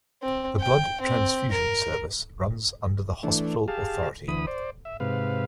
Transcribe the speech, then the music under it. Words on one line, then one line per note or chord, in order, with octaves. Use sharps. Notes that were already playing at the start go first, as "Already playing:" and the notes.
The blood transfusion service runs under the Hospital Authority.
C4
G5
C4
A#4
E3 A3 D4
G4 G#4 F5 A5
D2 E3 B5 D#6
C5 D5
E5
G#2 C3 B4 F5